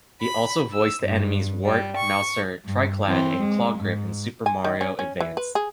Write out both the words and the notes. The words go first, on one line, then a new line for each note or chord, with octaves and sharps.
He also voiced the enemies Wart, Mouser, Tryclyde, and Clawgrip in "Super Mario Advance".
B5
E6
G2
G3
C#6
G2
E3 C4
G#3
G#2
G#5
D#3
C#4
C#4
E3
B4
G#4